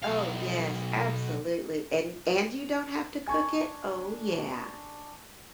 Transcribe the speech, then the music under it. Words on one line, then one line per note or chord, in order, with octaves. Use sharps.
Oh, yes. Absolutely. And and you don't have to cook it? Oh, yeah.
B1 F5
D4 G#5 C#6 G#6